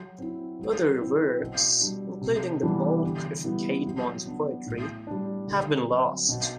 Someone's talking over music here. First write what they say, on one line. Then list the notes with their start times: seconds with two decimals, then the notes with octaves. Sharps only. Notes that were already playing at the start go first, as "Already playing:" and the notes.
Other works, including the bulk of Caedmon's poetry, have been lost.
Already playing: F#3
0.19 C4 E4
0.59 F#3
1.00 C4 E4
1.40 B2
1.81 G3 D4
2.21 C3
2.63 E3 G3 B3 D4
3.03 D3
3.44 G3 B3 E4
3.85 F#3
4.26 B3 D4
4.66 A2
5.07 G3 D4
5.47 D3
5.87 F#3 C4
6.29 B2